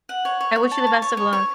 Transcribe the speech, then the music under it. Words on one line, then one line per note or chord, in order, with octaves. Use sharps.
I wish you the best of luck.
F#5
C#5
C#5
C#5
A5
C#5
C#5
C#5
C#5